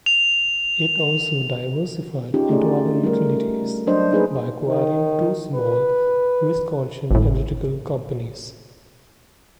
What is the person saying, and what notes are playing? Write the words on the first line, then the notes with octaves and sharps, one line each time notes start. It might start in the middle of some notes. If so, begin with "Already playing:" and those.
It also diversified into other utilities by acquiring two small Wisconsin electrical companies.
F7
C#4 D#4 F4 G4 G#4
A3 G4 G#4 D5
G3 A3 A#4
F#3 G3 D4 C5 D#5
A#3 D#4 G#4 B4
D#3
B4
G#1 A2